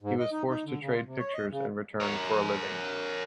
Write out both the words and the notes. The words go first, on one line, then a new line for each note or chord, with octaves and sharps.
He was forced to trade pictures in return for a living.
G#2
D#5
D#4
D#4
D3
C#3
F4
C3
C#5
D#5
C#3
A#4 C#5